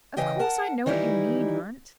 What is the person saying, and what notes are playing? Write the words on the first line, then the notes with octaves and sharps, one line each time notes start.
"Of course, I know what you mean, aunt?"
C#3 E3 D#5 G5
A#4 F#5 A5
D#3 E3 G3 D#4 E4